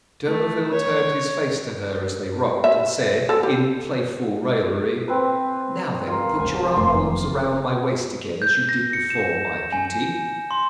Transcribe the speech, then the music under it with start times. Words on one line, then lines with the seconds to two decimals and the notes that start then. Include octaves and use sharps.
D'Urberville turned his face to her as they rocked, and said, in playful raillery: "Now then, put your arms round my waist again, as you did before, my Beauty."
0.25 A3
0.73 C#5
2.64 E5
3.29 A4
3.43 G4
5.08 C4 B4
6.07 F4 A#4
6.40 D1 C3 G#5
6.77 F1 A#3 F4 C6
8.42 G6
8.69 A#6
8.93 C#7
9.10 E7
9.72 G#5
10.51 C6